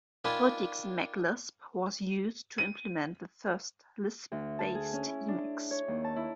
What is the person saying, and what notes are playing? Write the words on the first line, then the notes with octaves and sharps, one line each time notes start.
Multics Maclisp was used to implement the first Lisp-based Emacs.
D#3 D4 F4 G#5 B5
D#7
D2
A5
G#4
C#4
E4
D4
C#5
D#2
A5
E4